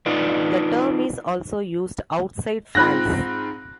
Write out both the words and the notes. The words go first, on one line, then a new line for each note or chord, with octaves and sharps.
The term is also used outside France.
D4 D#4 F4 B4 D5
G#2 C4 F4 B5 F#6 A#6